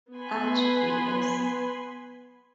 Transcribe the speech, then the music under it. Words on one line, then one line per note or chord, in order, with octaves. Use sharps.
Archie vs.
B3 G#5 B5 C6